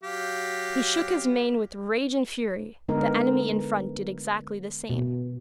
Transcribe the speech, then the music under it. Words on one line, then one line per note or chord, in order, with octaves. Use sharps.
He shook his mane with rage and fury; the enemy in front did exactly the same.
F#3 G4 F5
D3 G#3 B3 D#4 A#4
B2